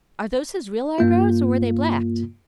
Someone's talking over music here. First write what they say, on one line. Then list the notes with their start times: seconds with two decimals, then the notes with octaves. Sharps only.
"Are those his real eyebrows or were they blacked?"
0.98 G2 A#3 F4